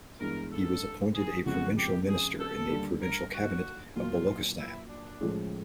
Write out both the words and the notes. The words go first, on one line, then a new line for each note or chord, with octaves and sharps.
He was appointed a provincial minister in the provincial cabinet of Balochistan.
G2 E3 G#3 B3 A#4
A4
G#4
F2 C#3 F3 G#3 B3 F#4
G4
G#4
A4
D#2 D3 G3
A#4
F#4
A#2 F#3 A#3 F4
E4
D4
A2 F3 G#3 C#4